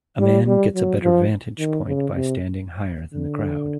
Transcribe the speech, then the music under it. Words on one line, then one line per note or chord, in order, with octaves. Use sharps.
A man gets a better vantage point by standing higher than the crowd.
G3
G3
F#3
F3
D#3
C#3
C3
D3